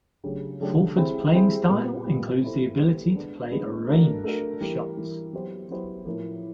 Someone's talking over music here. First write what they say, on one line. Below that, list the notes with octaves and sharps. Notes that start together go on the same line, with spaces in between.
Fulford's playing style includes the ability to play a range of shots.
C#3 F#3 A3 D4 G4
C#3 F#3 A3 D4 G4
G3 C4 E4 G#4 C5
G3 C4 E4 G#4 C5
A#2 G3 B3
A#2 G3 B3
G3 B3 E4 A4 C5
G3 B3 E4 A4 C5
G#3 B3 D4
G#3 B3 D4
A3 D4 F#4 A#4
A3 D4 F#4 A#4
E3 G3 A#3
E3 G3 A#3
F#3 B3 E4 G4 C5
F#3 B3 E4 G4 C5
A2 F3 A#3